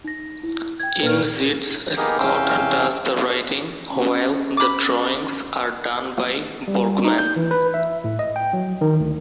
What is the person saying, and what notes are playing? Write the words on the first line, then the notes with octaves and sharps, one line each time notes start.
In "Zits", Scott does the writing, while the drawings are done by Borgman.
D#4 A#6
E4
G5 G#6
A#2 B4 F6
A#3 B3 D#4 G4 G#4 A#4
E2 C3 C#4 F5 G5 E6
C#4
B5 D6
G3
D#4
G6
E3
B4
E5
A2
D#5
G5
F#3
D#3
D2